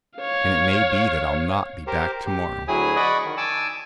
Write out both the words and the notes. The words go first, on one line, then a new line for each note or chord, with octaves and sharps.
"And it may be that I'll not be back to-morrow."
C#5 F5
G4 A#4 C5
G4
D2 F#3 E4 G#4 G#5 D#6
D5 D#5 F#5 B5 C#6 D#6
D#3
G#5 A5 D6 E6